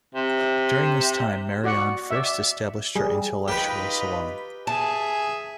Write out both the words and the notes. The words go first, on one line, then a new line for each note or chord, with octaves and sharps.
During this time, Marianne first established her intellectual salon.
C3
F#4 D5 F#5
D5 E5
G3 G#4
D#4 F4 G4 B4 B5
G#4 E5 G#5 A5